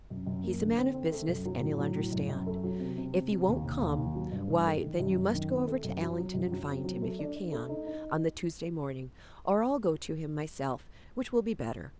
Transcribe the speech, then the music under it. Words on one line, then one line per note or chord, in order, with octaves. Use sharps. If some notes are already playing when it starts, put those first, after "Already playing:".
He's a man of business, and he'll understand. If he won't come, why then you must go over to Allington, and find him, if you can, on the Tuesday morning; or I'll go to him myself, which will be better.
F#2
F#2
A#3
D3
C4
C4
A3
F#2
F#3
A2
F#3
A2
F#2
F#2
A3
F#3
C3
C3
C3
C3
D#2
D#2
D#2
D#2
F#3
G2
G2
A3
D#3
F#2
F#2
D#3
C4
A3
F#2
F#3
F#3
F#2
F#3
C4
F#3
A3
D4
D4
A3
D#4
D#4